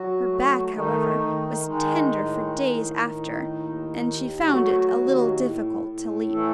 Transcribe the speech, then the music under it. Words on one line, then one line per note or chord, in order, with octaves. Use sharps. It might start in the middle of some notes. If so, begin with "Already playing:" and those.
Her back, however, was tender for days after, and she found it a little difficult to leap.
Already playing: F#3 F#4
A3
D#3 A3 D#4
D#3
D#3 G#3 D#4
A2
A2
A2
D#2
D#2
F#3 A3 F#4
D#2
A2
A2
E3 A3 A4